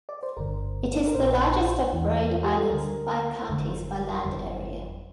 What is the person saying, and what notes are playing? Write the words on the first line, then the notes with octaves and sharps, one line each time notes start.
It is the largest of Rhode Island's five counties by land area.
D5
C5
G1 G2 D3 A#4
A#4
A#1 A#2 C5
E2 E3
F4
G4
A4
D2 D3 A#4
G1 F2 D3
G1 F2 D3